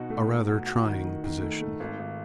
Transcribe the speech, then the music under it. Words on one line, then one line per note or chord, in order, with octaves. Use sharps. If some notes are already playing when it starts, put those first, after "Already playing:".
A rather trying position.
Already playing: B2 D#4 F#4
A3
A3
F#4
F#4
D#3
D#3
D#3
A3
A3
G#1
G#1